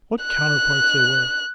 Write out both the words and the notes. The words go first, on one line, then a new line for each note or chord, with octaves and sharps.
What counterparts they were!
F#6